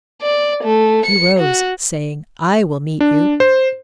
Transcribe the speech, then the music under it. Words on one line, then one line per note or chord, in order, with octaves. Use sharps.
He arose, saying, 'I will meet you.'
D5
A3
C#7
F#4
D4
C5